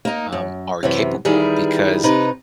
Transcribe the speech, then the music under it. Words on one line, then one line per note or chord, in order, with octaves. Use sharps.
um, are capable because,
A#3 D#4
F#2
F#2 C3 E3
D#3 E3 G3 E4 G#4
C3 D#4 B4